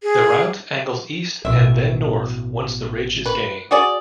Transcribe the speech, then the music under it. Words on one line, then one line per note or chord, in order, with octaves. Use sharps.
The route angles east and then north once the ridge is gained.
G#4
A1 B2 E5
B4
F#4 G#4 D5